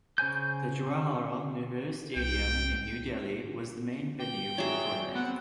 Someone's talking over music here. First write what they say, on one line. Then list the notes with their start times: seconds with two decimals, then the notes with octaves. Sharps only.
The Jawaharlal Nehru Stadium in New Delhi was the main venue for the tournament.
0.18 C#3 C5 G#5 G6
2.16 C2 G5
4.20 G5
4.58 F#3 G#4 C#5 D5 E5
5.15 B3 C4 F#5